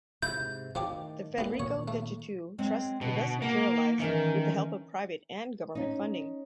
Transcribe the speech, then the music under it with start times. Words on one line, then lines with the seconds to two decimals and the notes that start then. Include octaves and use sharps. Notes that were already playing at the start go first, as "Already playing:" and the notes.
The Federico Degetau Trust thus materialized with the help of private and government funding.
0.22 G#2 C3 E4 G6
0.75 A2 D#3 F3 G4 D6
1.38 B1 A#3 B3
1.59 A#2 D#3 C#5
1.88 A3
2.58 F#3 G#3 C4
3.01 B2 D3
3.42 A#3 F#5
3.99 D#3 E3 C#4 A#4
5.75 C#4 D#4